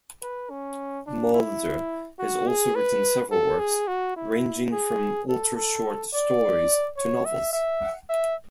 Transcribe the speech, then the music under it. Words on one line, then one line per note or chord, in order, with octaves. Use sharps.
Mulder has also written several works, ranging from ultra-short stories to novels.
B4
C#4
D4
E4
F#4
G#4
B4
A4
G#4
F#4
E4
G#4
A4
A4
D5
C#5
E5
E5
E5